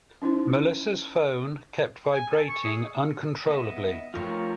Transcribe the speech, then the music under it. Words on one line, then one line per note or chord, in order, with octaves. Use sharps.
Melissa's phone kept vibrating uncontrollably.
C#4 D#4 E4 C5
G#5
A4
C#6
G#4
B3 D#5 E5
F3 A3 F4 A#4 C#5